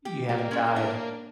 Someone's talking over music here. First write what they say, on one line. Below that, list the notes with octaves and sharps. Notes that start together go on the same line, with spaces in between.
You haven't died.
G4
A#3 G4
G#3 C#4
D4